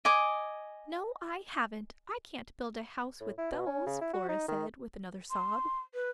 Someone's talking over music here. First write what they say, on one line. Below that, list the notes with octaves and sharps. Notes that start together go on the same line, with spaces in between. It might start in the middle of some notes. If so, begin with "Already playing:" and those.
"No, I haven't; I can't build a house with those," Flora said, with another sob.
D#5 G#5 D6
A2
E4
B2
C#4
C#3
E4
F#4
D#4
D#3
C6
B4